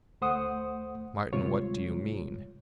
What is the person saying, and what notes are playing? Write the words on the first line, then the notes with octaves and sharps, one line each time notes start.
"Martin--what do you mean?"
D2 A3 C5 F#5 D#6
D#2 C3 G3 G#3 F4 C#5